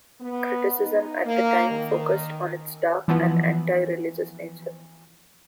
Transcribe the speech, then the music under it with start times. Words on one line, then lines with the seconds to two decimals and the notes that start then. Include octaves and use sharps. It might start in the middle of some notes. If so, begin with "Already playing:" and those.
Criticism at that time focused on its dark and antireligious nature.
0.21 B3
0.79 D#4
1.26 A#3
1.71 D#3
3.08 E3 F3 B3